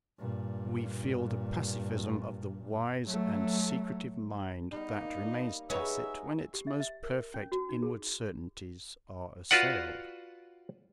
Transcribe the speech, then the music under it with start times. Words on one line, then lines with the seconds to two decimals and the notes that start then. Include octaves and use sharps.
We feel the pacifism of the wise and secretive mind that remains tacit when its most perfect inward certainties are assailed.
0.18 G2 A#2
3.05 F#3 A3
4.72 G3 B3 D#4
4.89 A#3
5.70 D#4 F#4 G#4 B4 C#5 E5
6.54 G4
6.67 E5
6.80 E5
7.03 A#4
7.34 C#4
7.52 F#4
7.69 D#4
7.83 G#4
9.51 F4 F#4 B4 D5 F#5